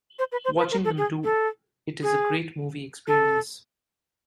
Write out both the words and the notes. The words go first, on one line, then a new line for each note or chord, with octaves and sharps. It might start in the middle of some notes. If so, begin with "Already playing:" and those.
Watching them do it is a great movie experience.
C5
B4
C5
B4
A#4
A4
G#4
A4
G#4
A4